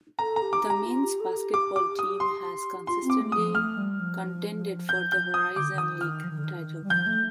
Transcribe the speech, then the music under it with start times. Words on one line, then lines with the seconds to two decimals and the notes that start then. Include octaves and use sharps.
The men's basketball team has consistently contended for the Horizon League title.
0.19 A4 A#5
0.36 A#5
0.42 G4
0.53 D6
0.64 G4
0.70 A#5
0.86 F4
1.04 G4
1.20 A4
1.37 G4
1.54 D6
1.76 D6
1.99 D#6
2.20 C6
2.87 F4 C6
3.04 C4
3.10 D6
3.21 A3
3.32 D#6
3.38 F3
3.55 A3 F6
3.77 G3
4.00 F3
4.89 G6
5.12 G6
5.34 D#6
5.56 D3 D6
5.73 D3
5.78 D#3 D#6
6.01 D#3 F6
6.24 F3
6.30 D#3
6.38 D3
6.44 D#3
6.57 D#3
6.84 G3
6.90 F3 G6
7.07 A3